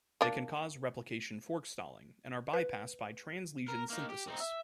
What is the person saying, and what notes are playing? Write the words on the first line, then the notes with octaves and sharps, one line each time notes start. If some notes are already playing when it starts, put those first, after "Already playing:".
They can cause replication fork stalling and are bypassed by translesion synthesis.
A#3 D4
B4
A#4
A#3 D#4
G4
C4 D#4
E5